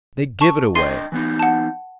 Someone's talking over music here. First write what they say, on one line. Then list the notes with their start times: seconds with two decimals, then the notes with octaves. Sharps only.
They give it away.
0.41 A5 C#6
0.75 D4 D#5 G5 C6 C7 D#7
1.12 E3 B3 D#4
1.39 F#5 A5